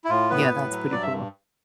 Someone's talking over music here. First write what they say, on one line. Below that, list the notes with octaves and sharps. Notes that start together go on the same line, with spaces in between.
Yeah, that's pretty cool.
E4
A2 F4
B3 B4
A2
F#3
G2 D5
E5